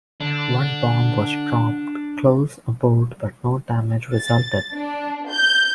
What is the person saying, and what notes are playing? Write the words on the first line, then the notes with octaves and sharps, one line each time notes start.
One bomb was dropped close aboard but no damage resulted.
D3 D4
A6
D4
G6